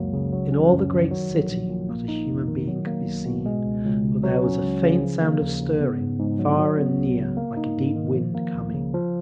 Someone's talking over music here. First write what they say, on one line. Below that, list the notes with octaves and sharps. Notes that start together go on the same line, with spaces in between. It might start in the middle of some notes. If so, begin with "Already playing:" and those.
In all the great city not a human being could be seen; but there was a faint sound of stirring, far and near, like a deep wind coming.
Already playing: C#2 F#2 F#3 A#3
C#3
F#3
C#4
F#2
D#3
F#3
A#1
A#1
A#2
A#3
D#4
F2
D#3
F#3
A#3
B1
B2
G#3
C#2
C#2
C#3
F#3
C#4
C#2
C#3
F3
A#3
D#2
C#3
B3
G#2
G#2
F#3
F#3
B3
C#2
C#3
A#3
D#4
G#2
D#3
F3
A#3
C#2
C#3
F3